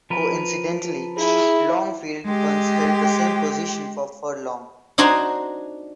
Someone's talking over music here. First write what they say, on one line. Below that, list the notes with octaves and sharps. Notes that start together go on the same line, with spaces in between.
Coincidentally, Longfield once held the same position for Furlong.
F3 A#4 B4
E4 G#4
G#3 G4
D4 D#4 F#4 C5 G#5 A#5